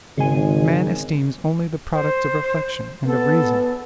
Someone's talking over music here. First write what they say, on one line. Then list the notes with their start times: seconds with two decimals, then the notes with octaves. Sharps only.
Man esteems only the products of reflection and of reason.
0.18 G#1 C#3 G#3 G#5
1.93 C5
3.06 B3 A4